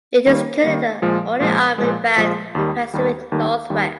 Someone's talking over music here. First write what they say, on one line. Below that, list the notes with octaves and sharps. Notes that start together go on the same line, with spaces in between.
It is currently the only army band in the Pacific Northwest.
D#3 G3 A#3
D#3 G3 A#3
A#2 F3 G#3
A#2 F3 G#3
A#2 F3 G#3
A#2 F3 G#3
D#2 D#3 G3
D#2 D#3 G3
D#2 D#3 G3
D#2 D#3 G3